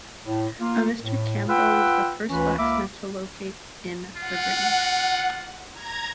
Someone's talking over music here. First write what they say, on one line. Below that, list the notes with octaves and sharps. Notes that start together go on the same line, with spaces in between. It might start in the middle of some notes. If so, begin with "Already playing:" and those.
A Mr. Campbell was the first blacksmith to locate in LaGrange.
A2
A#3 F4
A2
F4 B4 F#5 G5 E6
D2 E3 C#4 F4 B4
C#2 A#3 E5 B5 D6
F4 F#5
A#5 G#6 A#6